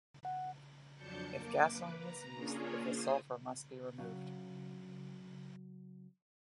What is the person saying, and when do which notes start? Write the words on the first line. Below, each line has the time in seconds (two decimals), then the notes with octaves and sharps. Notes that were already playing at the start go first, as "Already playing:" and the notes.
If gasoline is used, the sulfur must be removed.
0.25 F#5
0.95 F2 F#3 D4 A5 G6 C#7
1.27 A#3 D6
1.61 B4
1.95 A#5
2.35 A#3 C#4 D4 F4 G#4 C#5
2.81 C5 D#6
3.98 C#3 F#3